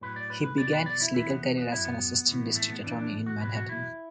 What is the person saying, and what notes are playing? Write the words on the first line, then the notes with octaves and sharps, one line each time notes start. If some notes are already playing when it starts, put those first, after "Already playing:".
He began his legal career as an assistant district attorney in Manhattan.
A2 F#3 B4
D5
B4
B4
E2 B2 F#3 D5
B4
D5
E4
E2 E3 E4
B3
B3
F#2 F#3 E4
B3
A2 E3
A3
B3
E2 E3 D4
D4
F#4
E2 B2 F#3 B4
F#4
E4